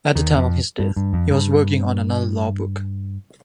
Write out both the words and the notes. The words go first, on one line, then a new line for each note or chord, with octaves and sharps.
At the time of his death he was working on another law book.
D#2 D#3
F2
G2
G2
F2
G2